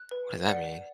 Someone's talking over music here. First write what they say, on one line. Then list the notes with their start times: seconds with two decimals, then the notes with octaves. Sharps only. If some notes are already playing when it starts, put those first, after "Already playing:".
What does that mean?
Already playing: F#6
0.11 B4
0.47 D5 F#5